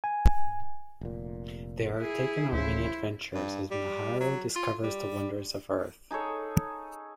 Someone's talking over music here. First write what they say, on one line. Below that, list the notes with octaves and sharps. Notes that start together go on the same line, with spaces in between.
They are taken on many adventures as Miharu discovers the wonders of Earth.
G#5
F1 A#2
E4 G#4
D#1 A1 D2 C#3 E4 C5
G2
G3
F#3
F4
G3
D#4 G#4 A4 C#5